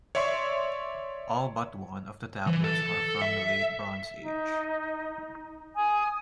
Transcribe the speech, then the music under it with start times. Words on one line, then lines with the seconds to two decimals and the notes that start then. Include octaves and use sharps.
All but one of the tablets are from the Late Bronze Age.
0.15 C#5 D5 E5 C6 C#6
2.47 E3
2.64 A4
3.22 E5
4.21 D#4
5.76 G#5 D#6